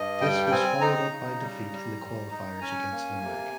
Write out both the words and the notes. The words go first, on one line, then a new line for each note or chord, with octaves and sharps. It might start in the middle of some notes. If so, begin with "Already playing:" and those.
This was followed up by defeat in the qualifiers against Limerick.
Already playing: G2 D#5
G3 G5
G5
C4 G#5
D#4 A#5
C#3
G3
G3
G3
D#4
C#4 G#5
A#3
C3